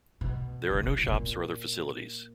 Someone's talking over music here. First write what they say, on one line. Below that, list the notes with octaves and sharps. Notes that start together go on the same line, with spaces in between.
There are no shops or other facilities.
B2
C#3
C3
B2
A#2